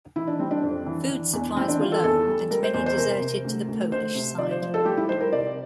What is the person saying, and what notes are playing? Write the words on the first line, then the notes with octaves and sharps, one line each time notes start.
Food supplies were low, and many deserted to the Polish side.
E3 E4
D4
G3 C4
D4
F2
E3
E3
E2
E3 C4
D4
E3 F4
A4
E2 A4
G3
G3 A#4
C5
E2 C5
C5
C3 A#4
C3
D2
D2
D2 C5
C3
F3 D5
C5
F3
A4
G3 G4
E4
G3 C5
A#4
C3 D5